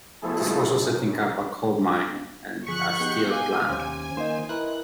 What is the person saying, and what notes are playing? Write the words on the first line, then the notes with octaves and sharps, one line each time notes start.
It is also setting up a coal mine and a steel plan.
B2 F3 A3 E4 G#4 A4
F#2
G1 F3 G#4 C#6 F#6 B6 C#7
B3 D#4 G4 G#4 G6
F5 G#5 D6
D#2 C#4 G4 C5 G#5
D#3 A#3 C5 D#5 C6
E4 A#4 B4 F#6